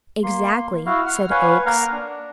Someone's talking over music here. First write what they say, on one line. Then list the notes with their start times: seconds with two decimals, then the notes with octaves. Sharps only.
"Exactly," said Oakes.
0.23 A#3 C6
0.86 E4 F#4 F5
1.06 F#5 F6
1.31 B4 C#5 F5 F#5 G#5
1.66 A#3 A#4 F5 F#5 A#5
1.92 D4